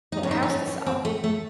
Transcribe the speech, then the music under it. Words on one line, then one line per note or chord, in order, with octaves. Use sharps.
the house to sell,
D#4
C#4
D#4
D#4
C#4
C#4
C4
A3
A3